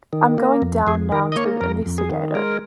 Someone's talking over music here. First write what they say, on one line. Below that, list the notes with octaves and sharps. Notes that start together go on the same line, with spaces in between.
I'm going down now to investigate it.
D#3
A#3
F2
F2 G#4
D#3 A#4
D#5
A#3 C#5
F2 A#4
F2
G#4
D#3
G#3 A#4